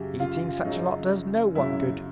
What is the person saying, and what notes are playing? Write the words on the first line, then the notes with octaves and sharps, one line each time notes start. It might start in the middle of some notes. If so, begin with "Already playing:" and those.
Eating such a lot does no one good.
Already playing: F#2 C#3 F#3 G4
F4
F#2 C#3 F#3 D#4
F#2 C#3 F#3 E4